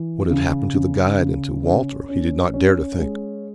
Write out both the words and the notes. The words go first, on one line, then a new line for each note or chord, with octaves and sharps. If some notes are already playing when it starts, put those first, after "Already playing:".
What had happened to the guide and to Walter he did not dare to think.
Already playing: E3
C#3
C#3
C#3
C#4
C#4
C#4
G#3